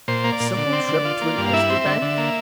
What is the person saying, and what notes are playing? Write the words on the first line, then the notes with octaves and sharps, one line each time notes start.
"A simple trip to an oysterbank?"
A#2 C5
A#3
D5
A#2
D3
C4
D3
F4
A#3
G2
F5
E4 E5
C4
D3
D3
A#3